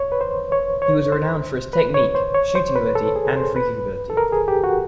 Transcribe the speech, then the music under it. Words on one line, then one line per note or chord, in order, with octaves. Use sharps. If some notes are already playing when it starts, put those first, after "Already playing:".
He was renowned for his technique, shooting ability and free kick ability.
Already playing: C#5
B4
C5
C#5
C#5
C5
B4
C#5
C5
C#5
C5
B4
A4
G#4
C5
B4
A4
A#4
G#4
G4
F#4